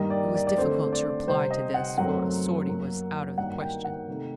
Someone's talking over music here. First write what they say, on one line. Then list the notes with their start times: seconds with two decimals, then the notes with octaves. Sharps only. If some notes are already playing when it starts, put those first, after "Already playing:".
It was difficult to reply to this, for a sortie was out of the question.
Already playing: G2 D#3 G3 A#3 D#5
0.10 D5
0.35 D5
0.47 D5
0.58 D3 A3 C4 C5
0.93 D5
1.27 C3 G3 C4 C5
1.51 D#5
1.74 F#5
1.98 F#2 F#3 A3 C4 F#5
2.67 F#2 F#3 A#3
3.37 G2 D#3 F#3 A#3 F#5
3.61 G5
3.84 F#5
4.08 C3 D#3 A3